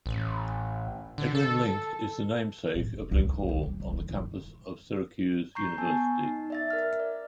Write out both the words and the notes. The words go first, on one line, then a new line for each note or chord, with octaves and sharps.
Edwin Link is the namesake of Link Hall on the campus of Syracuse University.
A1
D3
A4
A2
F2
C#2
D#2
C#2
G3
C2
D#3
F2
A#5 C#6 G6 C7
B3 G#5 A5
D#4
D5 E5 A6
A#4 F6
D5